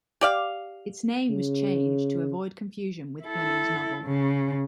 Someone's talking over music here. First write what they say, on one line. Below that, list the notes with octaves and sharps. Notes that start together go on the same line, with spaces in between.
Its name was changed to avoid confusion with Fleming's novel.
G4 D5 F5
C#3
E4 A4
C#3